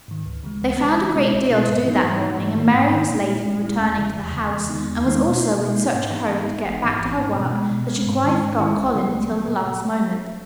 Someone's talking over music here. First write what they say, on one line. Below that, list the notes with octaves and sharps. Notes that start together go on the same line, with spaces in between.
They found a great deal to do that morning and Mary was late in returning to the house and was also in such a hurry to get back to her work that she quite forgot Colin until the last moment.
G#2 D#3
C#2
C#3 E3 G#3
C#2
C#3 E3 G#3
B1
B2 G#3 B3 E4
B1
B2 G#3 B3 E4
G#2
E3 A#3 D#4
G#2
E3 A#3 D#4
G#2
D#3 A#3 D#4
G#2
D#3 A#3 D#4
A#2
G#3 C#4 E4
A#2
G#3 C#4 E4
E2
C#3 E3
E2
C#3 E3
E2
D#3 G#3 B3 D#4
E2
D#3 G#3 B3 D#4
B2
A#3 D#4
B2
A#3 D#4
G#2
E3 B3 D#4
G#2
E3 B3 D#4
G#1
G#2 E3 B3 D#4
G#1
G#2 E3 B3 D#4
B2
G#3 B3
B2
G#3 B3
G#2
D#3 G#3 C#4 E4
G#2
D#3 G#3 C#4 E4
C#2
C#3 F#3 B3
C#2
C#3 F#3 B3
A#2